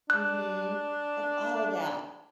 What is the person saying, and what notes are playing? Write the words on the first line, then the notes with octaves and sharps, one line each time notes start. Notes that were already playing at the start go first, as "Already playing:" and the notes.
Mhm. Like, all of that.
D4 F#6